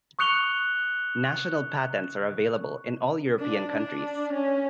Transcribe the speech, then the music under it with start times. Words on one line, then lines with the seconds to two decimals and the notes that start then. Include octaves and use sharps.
National patents are available in all European countries.
0.19 C#6 D#6 F#6 C#7 F7 G7
3.39 D4
3.74 D4
4.33 C#4